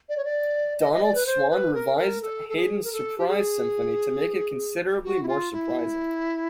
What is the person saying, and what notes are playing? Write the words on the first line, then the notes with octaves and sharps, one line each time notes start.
Donald Swann revised Haydn's "Surprise" Symphony to make it considerably more surprising.
D5
C#5
D5
D#5
D#5
D5
B4
C5
B4
A#4
A#4
A4
A4
G#4
A#4
A4
G4
G#4
F#4
E4
F4
E4